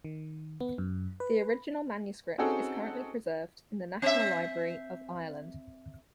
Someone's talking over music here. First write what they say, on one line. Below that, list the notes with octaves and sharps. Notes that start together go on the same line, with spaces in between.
The original manuscript is currently preserved in the National Library of Ireland.
D#3
B3
F#2
B4
C4 C#4 D#4 F#4 G#4 A4
C4 E5